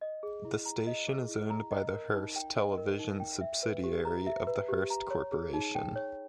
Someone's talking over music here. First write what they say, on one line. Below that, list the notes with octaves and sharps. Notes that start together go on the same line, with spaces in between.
The station is owned by the Hearst Television subsidiary of the Hearst Corporation.
D#5
G#4
E4
A#5
D#5
G#4
E4
A#5
D#5
A#4
D#4
G5
D#5
A#4
D#4
G5
E5
B4
G4
A#5
E5
B4
G4
A#5
C#5
G#4
D#4
G5
C#5